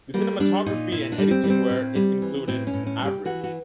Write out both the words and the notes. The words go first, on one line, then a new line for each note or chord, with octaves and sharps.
The cinematography and editing were, it concluded, average.
G3 A#3
G3 D4
A#2 D#4
A#2 E4
D4
G3
C4
G3
C4
A2
G3
E3
A2 C4
C#4
A2
C#4
G3
G4
E3 F#4
F#4